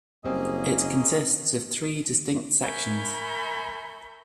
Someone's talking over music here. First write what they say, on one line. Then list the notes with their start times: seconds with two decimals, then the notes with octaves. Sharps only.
It consists of three distinct sections.
0.25 F#1 G3 A#3 C4 C#4 G#4 D#5
2.62 A#4 E5 G#5 B5 C#6 G6